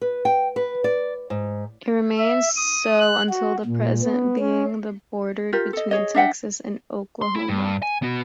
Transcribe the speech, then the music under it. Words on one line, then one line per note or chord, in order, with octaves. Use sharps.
It remains so until the present, being the border between Texas and Oklahoma.
B4
G5
B4
D5
G#2
E5
D#6
F#6
F#4
A#2
B3
C#4
F4 G4 A#4
A4 D#5
G#4 C#5 D#5
D4 E5 F#5 G5
C6
E4
G2
G#5
B3 F#4